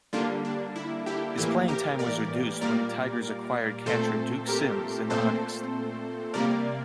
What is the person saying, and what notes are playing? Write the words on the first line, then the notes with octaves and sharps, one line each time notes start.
His playing time was reduced when the Tigers acquired catcher Duke Sims in August.
D3 G3 A#3 D4 F4
D4
E4
E4 G4
A2 E3 A#3 E4 G4
G4 A#4
A#4 D5
A#2 G3 A#3 A#4 D5
A#2 A3 C4 A4 C5
G4 A#4
A#2 A3 C4 A4 C5
C3 G3 A#3 A#4 D5